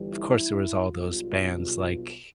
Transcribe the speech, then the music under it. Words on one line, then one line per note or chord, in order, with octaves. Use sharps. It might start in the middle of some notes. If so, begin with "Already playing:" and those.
of course, there was all those bands like
Already playing: G1 G2 E3 G3
E4
B1 B2 G3 F4